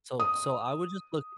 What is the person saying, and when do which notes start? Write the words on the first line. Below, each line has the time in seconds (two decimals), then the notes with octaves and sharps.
So so I would just look
0.20 D#6